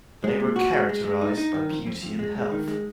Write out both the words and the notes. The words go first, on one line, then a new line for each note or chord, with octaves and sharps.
They were characterized by beauty and health.
G#3
A#2
F#4
G#3
G#3
G#3
D#4
D#4
D#3
F2
F2
F2
G#3
G#3
D#3
G#3